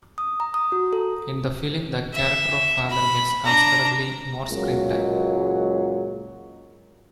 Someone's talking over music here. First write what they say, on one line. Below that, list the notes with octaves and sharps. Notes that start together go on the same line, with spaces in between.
In the film, the character of "Father" gets considerably more screen time.
D#6
A#5
D#6
F#4
A4
E5
B5
D4 A#5
C#2 A#2 F#3 G#3